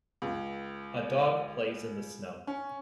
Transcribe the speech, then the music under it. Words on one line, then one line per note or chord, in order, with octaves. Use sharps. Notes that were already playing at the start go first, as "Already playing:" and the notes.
A dog plays in the snow.
C#2
C#4